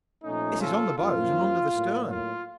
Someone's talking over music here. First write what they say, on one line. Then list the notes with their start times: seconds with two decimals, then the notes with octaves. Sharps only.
"It is on the bows and under the stern."
0.24 A#2 F3 A3 C#4 D#4
0.61 F4 A4
0.98 F#2 F3 A#3 F4
1.73 A2 F#3 A#3
2.10 F4